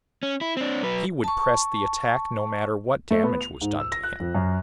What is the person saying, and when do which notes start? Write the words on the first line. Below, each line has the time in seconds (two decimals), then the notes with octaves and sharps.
He would press the attack no matter what damage was done to him.
0.23 C#4
0.41 E4
0.57 C4 D4
0.83 F#3 B4
1.24 A5 C#6
3.11 A3
3.23 B3
3.41 F7
3.61 G#2
3.80 E6
3.92 A#6
4.03 F#6
4.20 F2
4.35 F#2